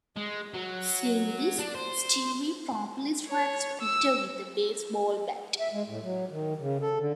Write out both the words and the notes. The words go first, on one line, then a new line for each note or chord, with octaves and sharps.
Seeing this, Stewie promptly strikes Peter with a baseball bat.
G#3
F#3
D4
C5
C#5
E6
E5
G#3
A2
F#3
D#3
C#3
A4
D3